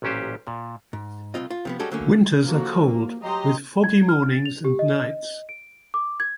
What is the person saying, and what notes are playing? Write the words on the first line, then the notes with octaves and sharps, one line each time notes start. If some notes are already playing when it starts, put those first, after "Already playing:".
Winters are cold with foggy mornings and nights.
A1 A#2 F#3 C#4 G4 C5
A#2
G#2
C2 F#2 C4 F4 D#5
F4
C3 F3 B3
G3 G#3 C#4 F#4 A4
D3 F#3 A3 A#3 C#4
F3 A#3 F#4 A4
A#3
F#3 G4 D#5 A#5 C6
G#6
F6
A6
F7
G4
D#5
D7
D6
G#6